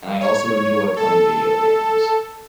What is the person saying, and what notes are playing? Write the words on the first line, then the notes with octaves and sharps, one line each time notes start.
and I also enjoy playing video games,
C#5
A4